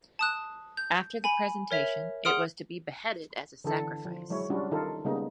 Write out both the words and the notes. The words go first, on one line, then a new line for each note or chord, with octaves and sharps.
After the presentation, it was to be beheaded as a sacrifice.
A5 D#6 F#6
G6
G#5 B5
A#4 C#5 E5 F7
G#4 F#5 C6 D#6 F6 D7
D3 E3 A4
F3
F#3 G#3 E4 C#5
G3 C#4 D4 F4 F#4
D#3 D#4 F4 A4 A#4
C#3 G3 G#3 A#3 B3 D#4